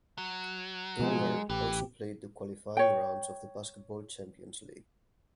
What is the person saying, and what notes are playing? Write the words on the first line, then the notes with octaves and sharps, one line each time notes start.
Donar also played the qualifying rounds of the Basketball Champions League.
F#3
B2 F3 G#3
A1 E3 G4
C#5 G5